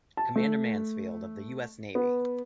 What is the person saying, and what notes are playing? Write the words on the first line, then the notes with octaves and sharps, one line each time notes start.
Commander Mansfield of the U. S. Navy.
A5
A3
B3